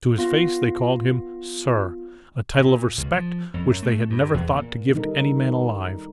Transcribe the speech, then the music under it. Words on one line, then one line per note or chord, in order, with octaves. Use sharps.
To his face they called him 'sir,' a title of respect which they had never thought to give to any man alive.
B3 F4 F5 A#6
A#2
C#2
F3
F2
F#2
A3
G2
E2
A#2
D#3 G3 D#4 A4 A#4